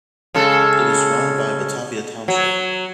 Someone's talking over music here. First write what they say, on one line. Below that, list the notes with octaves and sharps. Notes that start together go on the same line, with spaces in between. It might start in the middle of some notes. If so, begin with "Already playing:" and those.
It is surrounded by Batavia Township.
C#3 G#3 A4
F#3